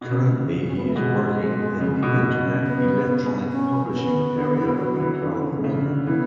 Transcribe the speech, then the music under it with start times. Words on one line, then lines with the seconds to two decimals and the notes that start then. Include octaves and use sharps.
Currently he is working in the internet electronic publishing area in California.
0.01 B2
0.11 C#3
0.66 C#4
0.76 B3
0.86 A3
0.95 B2 G#3
1.81 C#3
2.02 B2
2.24 B2
2.45 C#3
2.66 B3
3.52 C#4
3.94 B3
4.36 D3
4.57 E3
4.78 F#3
5.00 E3
5.22 D3
5.42 C#3
5.64 C#3
5.85 D3
6.07 E3 B3